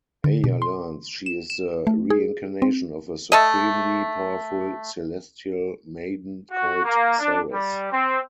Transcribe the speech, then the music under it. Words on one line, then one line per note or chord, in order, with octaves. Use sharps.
Aya learns she is the reincarnation of a supremely powerful celestial maiden called Ceres.
D3
B2
C6
E7
E7
A3
G#4
C4
A3 A4 D#5
F#4
A#3
D4
G3
C4